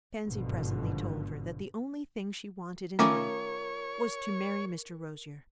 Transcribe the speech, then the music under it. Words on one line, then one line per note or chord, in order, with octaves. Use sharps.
Pansy presently told her that the only thing she wanted in life was to marry Mr. Rosier.
G#1 G2 B2 D3 F3
D#3 A3 C#4 F4 A#4 C#5 F5 D6